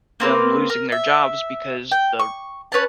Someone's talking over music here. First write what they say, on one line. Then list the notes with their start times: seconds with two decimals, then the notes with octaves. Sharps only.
them losing their jobs because the
0.20 A#3 C4 A#4 B4
0.70 A#4
0.92 E5
1.92 G5
2.19 C#6
2.72 C#4 B4 C#5 A5